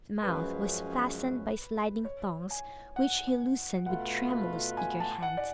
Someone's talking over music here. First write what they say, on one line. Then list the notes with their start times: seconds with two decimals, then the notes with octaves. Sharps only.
Its mouth was fastened by sliding thongs, which he loosened with tremulous, eager hands.
0.23 F#2 F3 G#3 C#4 B4
2.05 C#5
2.51 G#5
2.96 F#5
3.86 B2 A3 F4 B4 F#5
4.77 G#5
5.00 A5
5.23 F#5
5.37 D5